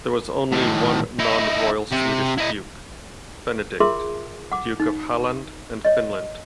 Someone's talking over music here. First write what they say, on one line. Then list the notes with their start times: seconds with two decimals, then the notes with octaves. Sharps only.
There was only one non-royal Swedish duke, Benedict, Duke of Halland and Finland.
0.52 A2 D#3
1.19 D#4 E4
1.92 C3
2.38 E4 D#5
3.80 F4 G#4 A#4 E5 C6 D6
4.52 F#5 D6
4.80 D#4
5.85 C#5 D#5